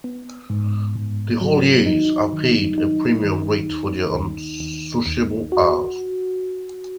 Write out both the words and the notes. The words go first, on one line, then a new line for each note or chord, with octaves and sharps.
The hauliers are paid a premium rate for their unsociable hours.
B3
G#2
G#2
F#3
D#4
D#3
D#4
D#3
D#2
D#2
D#2
D#2
F#4